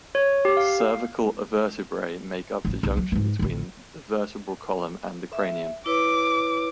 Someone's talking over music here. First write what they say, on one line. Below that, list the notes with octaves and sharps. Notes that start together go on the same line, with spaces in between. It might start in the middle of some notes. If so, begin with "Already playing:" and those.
Cervical vertebrae make up the junction between the vertebral column and the cranium.
C#5
G4
F5
A1 F3
B1
F#3
G#2 B3
A1 D3
E5
E4 B4 C#5 D6